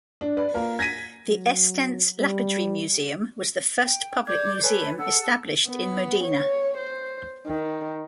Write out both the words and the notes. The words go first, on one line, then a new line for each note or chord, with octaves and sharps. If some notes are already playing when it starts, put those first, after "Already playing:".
The Estense Lapidary Museum was the first public museum established in Modena.
D4
B4 D5
A#3 F4 A#4
G#6 A#6 B6 D#7
F#3
G3
G5
D5 D6 G6 G#6
A4 B4 C#5 G#5
A4 F#5 E6
B3
C#5
C5
D#3